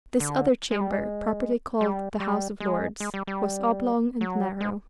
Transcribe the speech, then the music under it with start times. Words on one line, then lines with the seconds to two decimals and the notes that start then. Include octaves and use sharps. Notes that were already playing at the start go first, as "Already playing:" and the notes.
This other chamber, properly called the House of Lords, was oblong and narrow.
0.20 D3
0.71 G#3
0.81 G3
0.91 G#3
1.81 G3
2.20 G3
2.60 G#3
3.00 G#3
3.14 G3
3.27 G3
4.21 F#3
4.61 G#3